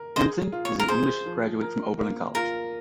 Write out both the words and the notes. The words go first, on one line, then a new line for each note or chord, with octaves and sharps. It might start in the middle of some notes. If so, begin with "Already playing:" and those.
Hamilton is an English graduate from Oberlin College.
Already playing: A#4
G#4 C5 D#5
F4
C#5
A#4
G#4 C5
F3
A#4
A#3
F4 A#4